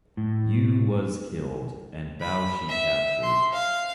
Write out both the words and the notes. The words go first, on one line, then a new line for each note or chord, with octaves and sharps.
You was killed, and Bao Si captured.
A2
B5
E5
C6
F5